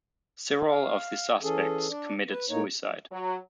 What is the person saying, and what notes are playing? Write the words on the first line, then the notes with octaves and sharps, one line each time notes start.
Several of the suspects committed suicide.
F5
E3 C#4 G#4 A4
D4 D5
B4
A2 A#3 D#4 C#5
F#3